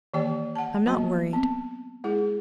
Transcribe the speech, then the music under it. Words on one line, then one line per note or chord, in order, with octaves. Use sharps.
"I'm not worried."
D#3 E3 A#3 G4 D5 G5
F#5 A5
F#3 A#3 B3 F#4
B3 C4
G#3 E4 G#4